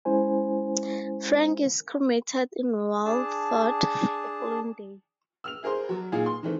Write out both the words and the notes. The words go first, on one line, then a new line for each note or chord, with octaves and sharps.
Frank is cremated in Walford the following day.
G#3 C#4 E4 C5 G#5
D4 G#4 A5
E6 F6 F7
E4 G#4 A#4 C5 C6
F#3
A#2 D#4 F4 G#4
C6
D#3 E3 A3 C4